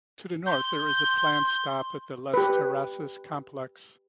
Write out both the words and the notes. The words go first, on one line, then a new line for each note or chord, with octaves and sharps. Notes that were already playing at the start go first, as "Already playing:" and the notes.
To the north, there is a planned stop at the Les Terrasses Complex.
C6 G6
G4 B4